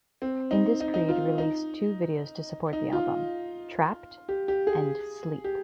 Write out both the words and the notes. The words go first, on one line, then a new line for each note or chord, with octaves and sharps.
Indus Creed released two videos to support the album: "Trapped" and "Sleep".
C4
D#4
D#4
D#4
F4
D#4
D#4
F4
G4
G4
G#4
G4